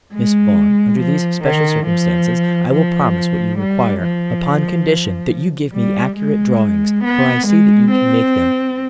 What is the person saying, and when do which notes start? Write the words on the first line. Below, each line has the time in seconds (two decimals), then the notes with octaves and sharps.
"Miss Vaughan, under these special circumstances, I will promise what you require; upon condition that you give me accurate drawings, for I see that you can make them."
0.14 G#3
1.00 F3
1.43 D#3
1.86 F3
2.72 F3
3.58 G3
4.02 F3
5.74 G3
6.17 G#3
7.04 B3
7.47 G#3
7.90 C4